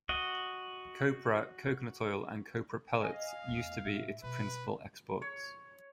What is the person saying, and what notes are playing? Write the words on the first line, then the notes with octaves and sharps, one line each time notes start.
Copra, coconut oil and copra pellets used to be its principal exports.
F#4 D#5
D#5 F5 G#5
E2 A3
A2 E5
B2 B4
C#5